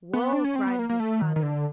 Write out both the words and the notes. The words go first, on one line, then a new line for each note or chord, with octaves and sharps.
"Whoa!" cried his father.
B3
D4
C#4
C4
B3
A#3
A#3
A3
D#3
D#3
D3